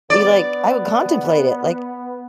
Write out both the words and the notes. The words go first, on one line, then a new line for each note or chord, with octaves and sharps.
be like I would contemplate it, like,
B3 D5